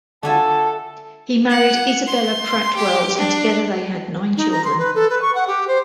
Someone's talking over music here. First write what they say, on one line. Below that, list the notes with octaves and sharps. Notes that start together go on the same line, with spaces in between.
He married Isabella Pratt Welles and together they had nine children.
D3 F4 F#4 A4 E5 G#5 A5
F#5
C6
G4
D4
D#4
A#5
C6
B4
A4
B4
C#6
F#5
G4
C5